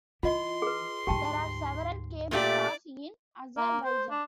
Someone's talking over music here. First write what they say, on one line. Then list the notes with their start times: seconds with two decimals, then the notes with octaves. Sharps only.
There are several cable cars in Azerbaijan.
0.23 E3 F4 D#5 C6
0.62 G#4 B4
1.07 D2 G#2 G4 G5 A5
2.31 A#2 A3 G4 D5
3.57 A#3
3.85 C5
4.10 D4